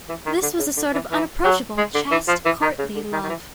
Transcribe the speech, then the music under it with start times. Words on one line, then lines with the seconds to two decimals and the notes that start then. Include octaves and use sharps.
This was a sort of unapproachable, chaste courtly love.
0.09 E3
0.26 D#3
0.42 D3
0.59 C#3
0.76 D3
0.94 E3
1.11 E3
1.44 F#3
1.78 G#3
1.94 D3
2.11 E3
2.28 F3
2.45 E3
2.62 D#3
2.79 C#3
2.95 D3
3.12 D#3
3.23 D#3
3.29 E3